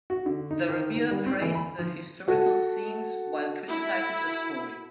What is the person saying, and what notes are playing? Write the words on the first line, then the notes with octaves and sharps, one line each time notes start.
The reviewer praised the historical scenes while criticizing the story.
F#4
D3
D#4
D#3
D#3
G3
C4
E3
B5
F3
F#4 A4
E4